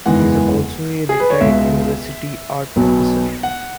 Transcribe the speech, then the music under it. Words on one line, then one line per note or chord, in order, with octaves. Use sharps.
He is also a retired university art professor.
F#1 E2 E3 G#3 F#5
G#4
B4
C#5
C#2 B2 G#3 E5
B1 B2 F#3
F#5